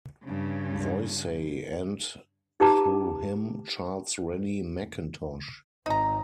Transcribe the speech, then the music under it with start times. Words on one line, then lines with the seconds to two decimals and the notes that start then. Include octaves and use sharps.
Voysey, and, through him, Charles Rennie Mackintosh.
0.24 G2 C#3
2.60 D#4 G4 B4 A5 A#5 D6
5.86 G#1 D#4 A#5